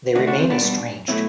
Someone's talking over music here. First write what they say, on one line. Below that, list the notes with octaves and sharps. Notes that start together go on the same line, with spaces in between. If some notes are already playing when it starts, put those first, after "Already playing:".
They remain estranged.
D3 A3 D4 F#4
D4 F#4
C4
B3 D4
B2 G3 B3
B2 F#3 A3 C4 E4